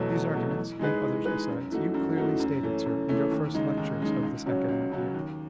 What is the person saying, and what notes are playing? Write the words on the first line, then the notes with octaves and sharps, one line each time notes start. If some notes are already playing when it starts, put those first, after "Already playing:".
These arguments, and others besides, you clearly stated, sir, in your first lectures of this academic year.
Already playing: E2 B2 F#3 A3
E2
B2 F#3 A3
E3
G#3 D#4 G#4 B4
E3
G#3 D#4 G#4 B4
F#2
E3 A3 D#4 F#4
F#2
E3 A3 D#4 F#4
F#2
E3 A3 C#4
F#2
E3 A3 C#4
D#2
C#3 G#3 D#4
D#2
C#3 G#3 D#4
C#2
C#3 F#3 C#4 F#4
C#2
C#3 F#3 C#4 F#4
D#2